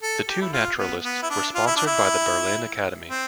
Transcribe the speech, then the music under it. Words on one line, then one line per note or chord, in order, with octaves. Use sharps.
The two naturalists were sponsored by the Berlin Academy.
A4
G4
E4
F4
B3
B3
E4
D4
F4
E4
D4
E4
C4